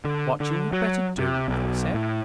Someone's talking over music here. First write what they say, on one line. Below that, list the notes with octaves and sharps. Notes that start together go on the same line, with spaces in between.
'What you had better do?' they said.
D3
D3
F#3
C3
B1
A2